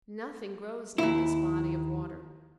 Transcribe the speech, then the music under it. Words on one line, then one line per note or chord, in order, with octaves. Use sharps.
Nothing grows near this body of water.
D#2 E4